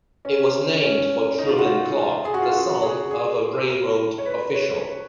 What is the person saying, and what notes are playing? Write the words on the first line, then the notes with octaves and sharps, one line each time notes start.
It was named for Truman Clark, the son of a railroad official.
C#4
C#4
D#4
F4
F#4
F4
G#4
F#4
F4
F#4
G#4
G#4
A#4
C#5
B4
C#5